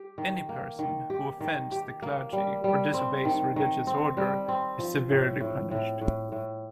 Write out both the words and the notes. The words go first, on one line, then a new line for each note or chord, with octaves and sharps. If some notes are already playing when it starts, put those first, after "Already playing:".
Any person who offends the clergy or disobeys religious order is severely punished.
Already playing: G4
D#3
A#3
D#3
G4
D#3
G4
A#3
G3
G3
C4
D#3
D#3
C4
G3
C4
F3
A2
A2
A2
A2
A2